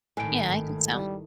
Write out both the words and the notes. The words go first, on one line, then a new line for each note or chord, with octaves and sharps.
Yeah, I think so.
G#1 A2 D#3 G#5 D7
G3